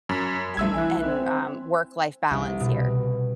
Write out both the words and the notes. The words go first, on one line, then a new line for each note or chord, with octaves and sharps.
and and, um, work life balance here?"
F#2 B5 B6
B1 G3 A3 D4 E5 E6 G#6
E3 G#5 F#6
C4
C2
B2